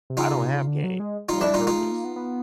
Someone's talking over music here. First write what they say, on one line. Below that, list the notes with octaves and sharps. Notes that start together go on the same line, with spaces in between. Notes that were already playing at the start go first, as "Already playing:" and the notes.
I don't have game, on purpose,
C3
C#3 D#4 F4
C3
C#3
D3
F#3
G#3
G3 D#4 F4
D4 E4
G3 D#4 F4
G#3 D#4 F4
A3
A#3
B3
B3